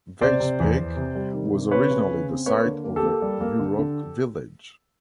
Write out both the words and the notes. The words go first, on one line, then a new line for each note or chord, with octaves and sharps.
Weitchpec was originally the site of a Yurok village.
C3 C5 D5
C3
E2
E2
C3
G3
D#3
C3
C4 B4 C#5
C#3
C#3
C4
A#3 B4 C#5
D3
A#3
G4 A4
A#3
G3
A#3
D3
D3